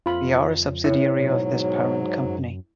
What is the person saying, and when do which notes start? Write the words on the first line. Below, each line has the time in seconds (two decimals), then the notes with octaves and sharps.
We are a subsidiary of this parent company.
0.06 F2 F4 B5
0.84 E4 C#5
1.19 G#2 B2 F#3
2.25 F#2